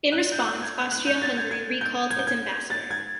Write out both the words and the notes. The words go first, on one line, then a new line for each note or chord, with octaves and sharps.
In response, Austria-Hungary recalled its ambassador.
F#6
G6
F#6
G6
G#6
F#6
G6
A6
G#6
G#6
G6
G#6
G6
G#6
A6
G#6